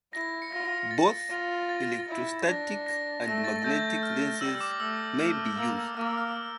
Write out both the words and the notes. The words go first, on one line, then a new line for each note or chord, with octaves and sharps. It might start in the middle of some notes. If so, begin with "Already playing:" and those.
Both electrostatic and magnetic lenses may be used.
E4 A#6
C#7
F4 A#6
A#6
A#6
A6
F4
A6
E4
D4 A#6
A#6
A3 A#6
A6
A3 G6
F6
G3 E6
E6
D6
A3 E6
A3 F6
A#3 E6
E6
A#3 F6
E6
F6